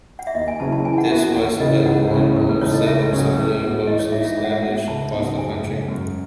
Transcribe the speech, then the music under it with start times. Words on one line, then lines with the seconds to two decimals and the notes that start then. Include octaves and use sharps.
This was but one of several similar posts established across the country.
0.19 F#5
0.27 E5
0.34 D#2 D#5
0.48 G#5
0.60 C#3 F#3 C#4 E4 A5
0.72 A5
0.85 E3 G#5
0.98 F#5
1.10 B3 F#4 E5
1.23 F#5
1.35 D#2 F#5
1.60 C#3 E3 D#5
1.86 C#2 F#5
2.11 C#3 E3 G#3 C#4
2.36 D#2 A4
2.49 B4
2.61 C#3 E3 A3 D#4 C#5
2.74 D#5
2.86 C#2 E5
2.99 B4
3.11 C#3 F#3 C#4 G#4 C#5
3.24 A4
3.36 A2 B4
3.62 G#3 B3 F#4
3.87 E3 D#5
3.99 C#5
4.12 G#3 D#4 E5
4.25 E5
4.37 G#3 E5
4.44 F#5
4.52 E5
4.63 B3 F#4 F#5
4.88 C#2 A5
5.12 C#3 F#3 B3 D#4
5.38 F#2 G#5
5.63 C#3 G#3
5.88 F#2